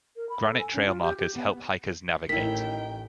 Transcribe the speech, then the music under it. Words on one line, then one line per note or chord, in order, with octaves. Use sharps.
Granite trail markers help hikers navigate.
A#4
B5
A4
G#5
C#4
F4
G4
G4
B3
A1 D#3 E4 G5 B6